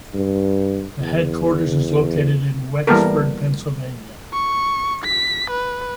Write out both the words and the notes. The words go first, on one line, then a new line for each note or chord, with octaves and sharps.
The headquarters is located in Wexford, Pennsylvania.
G2
E2
E3 G3 A#3 B3 A4 A#4
C#6
B6
B4